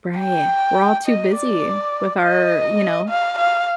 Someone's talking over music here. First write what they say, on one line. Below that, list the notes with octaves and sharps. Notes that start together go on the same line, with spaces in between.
Right. We're all too busy with our, you know,
G5
D#5
D5
D#5
F5
F5